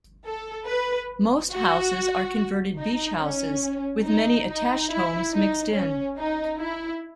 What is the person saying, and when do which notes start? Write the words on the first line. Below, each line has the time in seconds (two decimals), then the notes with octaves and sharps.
Most houses are converted beach houses with many attached homes mixed in.
0.24 A4
0.66 B4
1.51 F#4
2.78 D#4
3.20 C#4
4.05 D#4
4.47 D#4
4.90 E4
5.33 D#4
5.74 C#4
6.17 D#4
6.59 E4